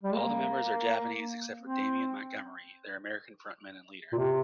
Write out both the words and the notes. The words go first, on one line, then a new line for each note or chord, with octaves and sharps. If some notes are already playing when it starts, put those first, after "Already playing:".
All the members are Japanese except for Damian Montgomery, their American frontman and leader.
G3
A#3
C4
A#2
C3